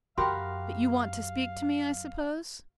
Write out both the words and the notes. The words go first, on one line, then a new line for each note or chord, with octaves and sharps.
"But you want to speak to me, I suppose?"
F#2 F#4 G4 A#4 F5 G5 B5 C6